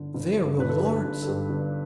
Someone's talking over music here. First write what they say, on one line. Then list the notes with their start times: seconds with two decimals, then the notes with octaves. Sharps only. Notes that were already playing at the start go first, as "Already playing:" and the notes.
There were lords!
Already playing: G1 G2 D3
0.14 G1
0.37 G2
0.59 G1 B4
0.69 A4
0.79 D3 G4
0.89 A4
1.05 G1
1.22 A4
1.27 G2 G4
1.49 G1